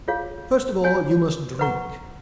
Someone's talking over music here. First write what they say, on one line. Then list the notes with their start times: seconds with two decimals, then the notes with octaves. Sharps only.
"First of all you must drink!"
0.08 F4 G#4 C#5 F5
0.84 F#4 C#5 G#5
1.59 B4 F#5 A#5 C#6